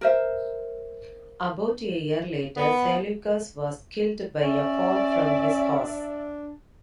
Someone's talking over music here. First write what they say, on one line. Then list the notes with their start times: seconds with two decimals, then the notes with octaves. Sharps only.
About a year later, Seleucus was killed by a fall from his horse.
0.01 A#4 C5 E5
2.57 B3
4.41 C#4 D5 E5
5.77 D4